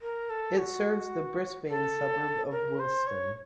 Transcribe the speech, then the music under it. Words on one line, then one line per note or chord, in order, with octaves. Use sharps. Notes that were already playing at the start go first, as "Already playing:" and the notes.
It serves the Brisbane suburb of Wilston.
A#4
A4
F#4
A4
A#4
C5
C#5